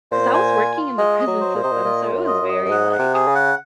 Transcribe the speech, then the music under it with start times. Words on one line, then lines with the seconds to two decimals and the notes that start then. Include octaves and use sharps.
'cause I was working in the prison system, so it was very, like,
0.12 A#2 C5
0.33 G#5
0.56 F4
0.76 F4
0.98 G#3 D#5
1.19 D#5
1.27 F#3
1.41 C5
1.56 A#2
1.63 C3 D#5
1.72 A#2
1.84 A#2 F4
2.06 F4
2.13 F#2
2.27 D#5
2.41 F#2
2.49 D#5
2.66 F#2
2.70 G#2 F#5
2.92 F#5
2.99 C3
3.14 G#4
3.27 C#3
3.35 F#5